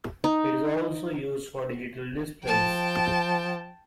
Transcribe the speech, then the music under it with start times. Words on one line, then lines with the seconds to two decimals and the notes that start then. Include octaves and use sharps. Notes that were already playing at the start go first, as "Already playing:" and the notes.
It is also used for digital displays.
0.24 D#4
2.43 F3 G5 A5